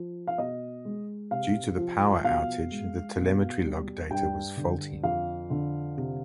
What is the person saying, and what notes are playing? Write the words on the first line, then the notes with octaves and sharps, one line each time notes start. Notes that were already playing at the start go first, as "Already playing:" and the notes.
Due to the power outage, the telemetry log data was faulty.
Already playing: F3
F5
B2 D#5
G#3
C3 F5
F3
B2 F5
G#3
B2
G3
G2 G5
D3
F2 F5
D3
C3